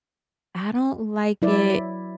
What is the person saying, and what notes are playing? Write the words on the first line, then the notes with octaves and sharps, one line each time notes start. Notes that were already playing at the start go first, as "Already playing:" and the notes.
I don't like it
F#3 E4 D5